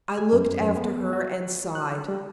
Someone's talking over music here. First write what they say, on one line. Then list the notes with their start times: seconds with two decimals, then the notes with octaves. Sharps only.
I looked after her and sighed.
0.18 G#5
0.33 F#2
0.61 F#2
0.77 B3
1.13 F#4
1.75 F#6
2.09 G3